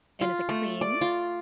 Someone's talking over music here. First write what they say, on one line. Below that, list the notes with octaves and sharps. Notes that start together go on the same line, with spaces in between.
And is it clean?
F4
A3
D5
F4